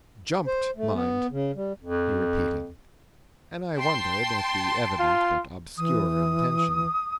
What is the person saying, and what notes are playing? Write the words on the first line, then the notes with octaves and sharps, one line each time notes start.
"Jumped--mind!" he repeated, and I wondered at the evident but obscure intention.
C5
A3
B3
C#3
G3
F2
G5 A5 C6
F4
E3 D#6